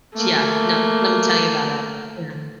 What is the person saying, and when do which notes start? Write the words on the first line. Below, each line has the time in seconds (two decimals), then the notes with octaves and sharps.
yeah, no, let me tell you about it, yeah.
0.14 A3 A#3